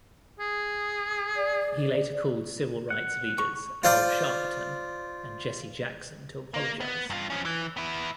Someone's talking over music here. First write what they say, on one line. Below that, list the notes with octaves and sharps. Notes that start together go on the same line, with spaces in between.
He later called civil rights leaders Al Sharpton and Jesse Jackson to apologize.
G#4
D5
F#5
C#6
F4 C5 D5
A#3
B3
G2 F4
F3 C#4
E3
B3 E4